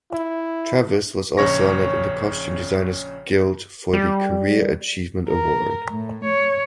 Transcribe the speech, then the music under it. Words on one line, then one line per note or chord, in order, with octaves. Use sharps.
Travis was also honored in the Costume Designers Guild for the Career Achievement Award.
E4
A#1 C#3 C#5 C#6 A#6
G3
A#4
A2
C#5